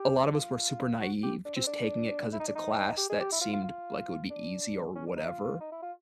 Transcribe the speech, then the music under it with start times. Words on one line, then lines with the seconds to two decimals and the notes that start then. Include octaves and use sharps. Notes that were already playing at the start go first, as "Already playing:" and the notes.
a lot of us were super naive, just taking it 'cause it's a class that seemed like it would be easy or whatever
Already playing: G4
0.35 F4
1.00 F#4
1.23 G4
1.45 D4
1.56 C4
1.67 D4
2.33 E4
2.40 D#4
2.48 D4
2.55 D#4
2.97 G4
3.09 G#4
3.20 G4
3.32 E4
3.41 F4
3.53 F4
3.64 F4
4.30 D4
4.95 C#4
5.06 D4
5.16 D#4
5.28 F4
5.44 F4
5.60 D#4
5.72 E4
5.82 F4